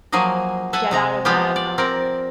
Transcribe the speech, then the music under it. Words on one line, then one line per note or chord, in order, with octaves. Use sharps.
get out of that, um,
F3 F#3 A#3 G#4 D#5
A4 E5 F#5 G#5
C3 G#3 A#5
F3 G#3 B3 F4 G4
D5
C4 A#4 D5